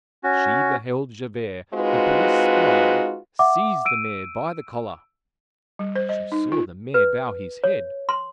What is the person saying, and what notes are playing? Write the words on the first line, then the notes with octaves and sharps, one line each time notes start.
She beheld Javert, the police spy, seize the mayor by the collar; she saw the mayor bow his head.
C#4 F#4
G#3 C4 D#4 F4 F#4 B4
E5 F#5 D6
E6 D7 D#7
G3
C5
D#5
D#4
F4
B4
C#5
C6